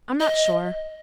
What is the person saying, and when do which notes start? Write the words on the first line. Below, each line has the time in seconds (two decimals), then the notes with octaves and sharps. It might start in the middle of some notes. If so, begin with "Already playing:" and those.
I'm not sure.
0.21 D#5